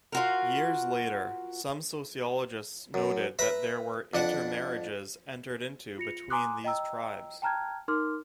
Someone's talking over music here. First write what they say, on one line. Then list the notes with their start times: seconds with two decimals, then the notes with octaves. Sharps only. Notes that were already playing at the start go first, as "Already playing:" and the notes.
Years later, some sociologists noted that there were inter-marriages entered into between these tribes.
0.12 F4 F#4 A#4
2.94 F#2
3.39 B4 E5 A#5
4.14 F2 D4 F#5
5.98 F4 A#6 C#7 F7
6.30 G#5 A#5 C6 D6 D#6 F#6
6.64 D#5 G5 A#5 E6
7.42 G5 A5 A#5 F6 F#6 G#6
7.88 D#4 A#4 C6 D6 F6